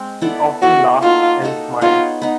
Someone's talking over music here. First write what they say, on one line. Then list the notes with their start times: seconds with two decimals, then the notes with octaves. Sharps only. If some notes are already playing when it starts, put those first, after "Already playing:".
He often laughed and smiled.
Already playing: G#3 C4
0.21 B3 E4 A4 D5
0.62 B3 E4 F#4 A4 D5
1.02 A#3 D#4 F4 F#4 A4
1.42 A#3 D#4 F#4 A4
1.81 B3 D#4 F4 G#4 C#5
2.22 B3 D#4